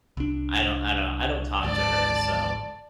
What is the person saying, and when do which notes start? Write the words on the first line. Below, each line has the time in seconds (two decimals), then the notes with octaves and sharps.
I don't I don't I don't talk to her, so
0.17 C2 D4
1.63 G#1 D2 G#2 D5 A5